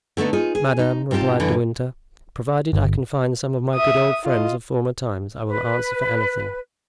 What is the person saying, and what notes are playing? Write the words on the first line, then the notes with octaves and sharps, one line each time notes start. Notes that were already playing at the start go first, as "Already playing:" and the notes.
"Madame," replied De Winter, "provided I can find some of my good old friends of former times I will answer for anything."
D3 A3 B3 D#4
D#4 F4 G#4
G#4
D#4
G#2 C4 F4 G4 A5
F#2 D3 E3
G1
E5 D#6
F4 D#5
B4